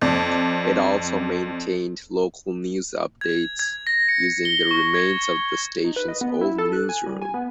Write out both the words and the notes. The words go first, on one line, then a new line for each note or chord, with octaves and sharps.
It also maintained local news updates, using the remains of the station's old newsroom.
F2 D5
G#6
G#6
A#6
C#7
G7
C#6
G#6
D#4
B4
D#5
B3
E4
A4
F#6
G#5
G3
G#5
B3